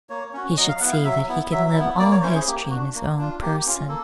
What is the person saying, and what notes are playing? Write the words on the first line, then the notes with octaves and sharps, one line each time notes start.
He should see that he can live all history in his own person.
A#3 C#5
C#4 F#4
F#3 D#5
F5
B3 E4 F#5
F5
F#3 E5
B3 E4
F#3 E5
B3 E4
A#3 D5
C#5
C#4 E4 C5
G#4
A#3 G4
D4 F#4
A#3
D4 F4
A#3 G4
C#4 F4
A#3 A4